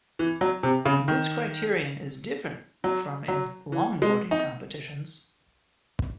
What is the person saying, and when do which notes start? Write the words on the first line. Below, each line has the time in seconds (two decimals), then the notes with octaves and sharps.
This criterion is different from in longboarding competitions.
0.19 E3
0.41 F#3
0.63 C3
0.85 C#3
1.08 D#3
2.84 F#3
3.28 F#3
3.72 E3
4.02 G#3
4.31 D#4